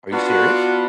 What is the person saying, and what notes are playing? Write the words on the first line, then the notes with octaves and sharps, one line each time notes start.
Are you serious?
B3 D4 F4 F#4